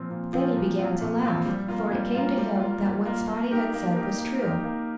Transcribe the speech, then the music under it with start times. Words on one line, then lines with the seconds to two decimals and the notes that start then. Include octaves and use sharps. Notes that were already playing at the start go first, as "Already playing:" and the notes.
Then he began to laugh, for it came to him that what Spotty had said was true.
Already playing: A#2 F3 C4 F4
0.10 A#2
0.33 F3 C4 F4
0.56 A#2
0.79 F3 C4 F4
1.01 A#2
1.24 F3 C4 F4
1.46 G3
1.68 A#3 F4
1.92 G3
2.15 A#3 F4
2.37 G3
2.60 A#3 F4
2.82 G3
3.05 A#3 F4
3.28 A#3
3.51 D#4 G4 A#4
3.73 A#3
3.96 D#4 G4 A#4
4.18 A#3
4.42 D#4 G4 A#4
4.64 A#3